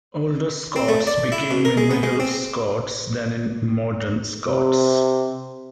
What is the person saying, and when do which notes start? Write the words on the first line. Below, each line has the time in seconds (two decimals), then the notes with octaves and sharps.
Older Scots became in Middle Scots then in Modern Scots.
0.76 C4
0.88 A3
1.07 D5
1.32 E4
1.51 B2
1.65 A#4
1.77 G#3
1.91 B3
2.03 G#3
2.20 C4
4.49 C3